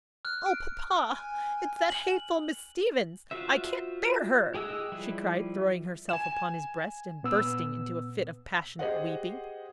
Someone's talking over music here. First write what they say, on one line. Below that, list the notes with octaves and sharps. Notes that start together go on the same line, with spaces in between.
"Oh, papa, it's that hateful Miss Stevens; I can't bear her!" she cried, throwing herself upon his breast, and bursting into a fit of passionate weeping.
F6 F#6
D7
G#5
F#7
F4 F#4 C5 E5
G4 G#4 D#5 E6 F#6
F3 G3 E4 B4
G#5 E7
A#2 B3 E6
G4 G#4 C5 D#5 F#5